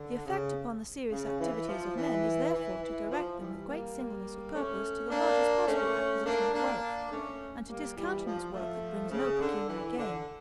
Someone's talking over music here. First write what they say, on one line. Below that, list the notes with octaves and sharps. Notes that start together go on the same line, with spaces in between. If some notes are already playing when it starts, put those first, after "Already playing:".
The effect upon the serious activities of men is therefore to direct them with great singleness of purpose to the largest possible acquisition of wealth, and to discountenance work that brings no pecuniary gain.
Already playing: D3
C#3
C#3
E3
F3
E3
E3
E3
F3
E3 G3
G3 A#3
A3 C#4
A#3 D4
A3 C#4
A#3 D4
A#3 D4
A3 C#4
G3 A#3
E3 G3
F3
F3 A3
C#3
D3
E3
D3